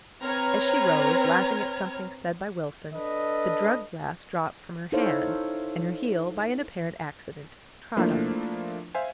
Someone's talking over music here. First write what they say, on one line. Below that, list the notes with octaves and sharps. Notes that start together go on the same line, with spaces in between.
As she rose, laughing at something said by Wilson, the drug-glass dropped from her hand, and her heel, by an apparent accident, trod on it.
C4 B4 C#5 A#5 F6 G#6
D4 A4 B4 D#5
D#4 E4 A4 C5 C#5 F5
F3 A3 A#3 D4 E4 F4
C5 E5 F5 G#5